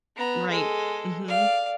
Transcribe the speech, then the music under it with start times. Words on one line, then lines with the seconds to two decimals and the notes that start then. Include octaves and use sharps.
Right, mhm.
0.16 B3 A#5
0.50 G#3 A4
1.28 D5 F5